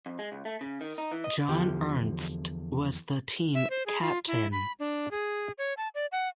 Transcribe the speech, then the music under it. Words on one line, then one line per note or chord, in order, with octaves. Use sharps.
John Ernst was the team captain.
F2
G#3
C#2
A3
C#3
D#3
D#4
E3
D#5
E2 D3 F3 G4
E5
C5
G#4
F4
E4
B5
D4
G#4
C#5
A5
D5
F#5